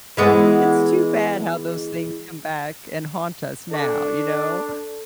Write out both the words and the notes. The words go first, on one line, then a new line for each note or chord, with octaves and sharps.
It's too bad how those things come back and haunt us now, you know?
E3 G#3 B3
D4 A4 C#6